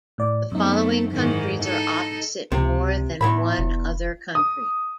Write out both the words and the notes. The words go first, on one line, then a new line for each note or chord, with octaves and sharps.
The following countries are opposite more than one other country.
A2 D5
F#2 A3 B3 C4 D#4
G#2 D#3 E3
D#4 A4
C#2 C3
E2 A2 E4 B5
F1
D#6